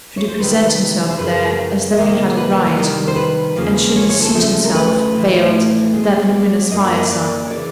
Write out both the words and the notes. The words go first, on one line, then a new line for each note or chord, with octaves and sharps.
Should he present himself there, as though he had a right, and should he seat himself, veiled, at that luminous fireside?
C#5
C5
C3 D#3 G3 B4
C5
F#2 C#3 F#3 B4
E5
C3 D#3 F#3 A#3 D#5
B4
B4
C3 D#3 G3 A#4
C5
B4
E2 C#3 F3 A#3
C#5
C#5
A4
D2 C#3 F3 A3
A#4
B4
A2 E3 A3
B2 G#3 B3
C#5
D5
F#2 D3 F#3 A#3 D#5
D5
D#5
D5
C#5
C#3 E3 D5